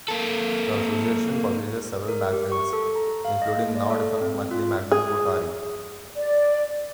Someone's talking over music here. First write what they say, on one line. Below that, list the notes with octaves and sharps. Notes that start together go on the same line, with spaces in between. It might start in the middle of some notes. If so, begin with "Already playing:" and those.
The association publishes several magazines, including now-defunct monthly magazine "Futari".
A#3 A4
A#4
G4
C#6
A4
A#5
F5
D#5
A#3
D5
A4
C4
F4
G#4
D5